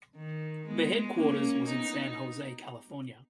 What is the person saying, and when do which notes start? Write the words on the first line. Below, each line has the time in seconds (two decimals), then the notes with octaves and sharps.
The headquarters was in San Jose, California.
0.16 D#3
0.66 G#3 B3
1.16 A#3 C#4
1.67 B3 D#4